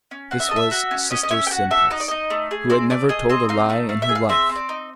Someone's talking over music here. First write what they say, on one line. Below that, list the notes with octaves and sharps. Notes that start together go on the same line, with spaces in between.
This was Sister Simplice, who had never told a lie in her life.
C#4
F#4 F5
E5
A4 D#5
E5
F#4
C#4
C#4 D#5
D#5
C#4 E5
G5
F#4 F#5
A4 E5
D#4 D#5
D5
D#4 D#5
A3
G#4
C4 D5
A3 D5
G#4 D#5
C4 D#5
D#4 F5
A3
A3 F5
E5
G#4
F5
C4 E5
C4
D5
D#4